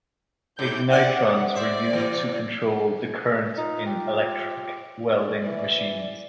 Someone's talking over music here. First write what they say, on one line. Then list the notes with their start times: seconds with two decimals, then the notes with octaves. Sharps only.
Ignitrons were used to control the current in electric welding machines.
0.59 G#2 E4 G6
0.90 C4 D5 F#5
1.55 C5 D5 E5
1.90 C3 E3
3.57 D#4 F4
3.86 G4
5.08 F2 D5
5.46 E3